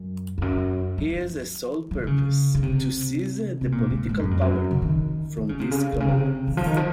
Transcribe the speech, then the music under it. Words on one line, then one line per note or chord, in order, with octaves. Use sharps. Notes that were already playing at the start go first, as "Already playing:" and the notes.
He has a sole purpose: to seize the political power from these "colonels".
Already playing: F#2
F2
F#2
F3
F3
D#3
C#3
C#3
C3
C3
A#2
G#2
G#2
F#2
F2
F#2
C#3
D#3
D#3
C#3
C3
C#3
C3
C#3
C3
D#3
F3
D#3
F3